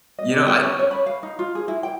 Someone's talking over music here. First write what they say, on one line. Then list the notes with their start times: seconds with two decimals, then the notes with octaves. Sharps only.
You know, I, uh
0.19 D#5
0.34 D5
0.47 G4
0.63 C#4
0.79 C#5
0.91 B5
1.06 F5
1.23 D#4
1.39 F4
1.55 G#4
1.68 E4
1.83 G5